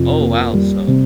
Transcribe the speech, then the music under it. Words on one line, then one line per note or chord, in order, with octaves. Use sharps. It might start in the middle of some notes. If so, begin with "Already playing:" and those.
Oh, wow, so
Already playing: F2 C3
A#3
G3
C3